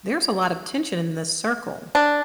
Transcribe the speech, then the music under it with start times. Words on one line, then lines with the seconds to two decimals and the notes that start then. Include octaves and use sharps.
There's a lot of tension in this circle.
1.95 D4